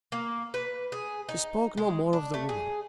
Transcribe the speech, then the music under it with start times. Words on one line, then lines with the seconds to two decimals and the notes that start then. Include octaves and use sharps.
She spoke no more of the "woman."
0.12 A#3
0.54 B4
0.92 G#4
1.29 D#4
1.77 G#3
2.13 D4
2.34 A3
2.49 G#4